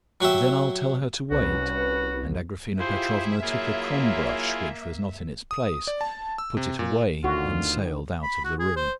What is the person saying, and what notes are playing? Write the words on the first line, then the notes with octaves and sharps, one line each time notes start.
"Then I'll tell her to wait?" and Agraphena Petrovna took a crumb brush which was not in its place, put it away, and sailed out of the room.
F#3 F#4 G4 E5
C2 C#4 F#4 B4
E4 F4 G4 G#4 C5 E5
F#3 A#3 E4 F4 G#4
D#6
D5
A5
E6
C3
A#2
D2 D3 D#3 F4 F#4
B5
F#4
G#4
C5